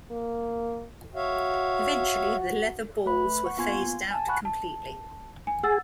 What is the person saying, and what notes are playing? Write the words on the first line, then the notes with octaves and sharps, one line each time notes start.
Eventually, the leather balls were phased out completely.
A#3
F#4 C#5 E5 F5
A3 B4 B5
F#5 C#6
A#3 B3 F4 G#5 C6 G#6
G#5 A5
F#5 B5 C#6 F#6
A5
G#5
G#4 F#5 E6 A6